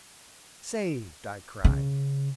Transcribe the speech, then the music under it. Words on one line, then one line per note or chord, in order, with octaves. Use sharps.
"Saved!" I cried.
C#3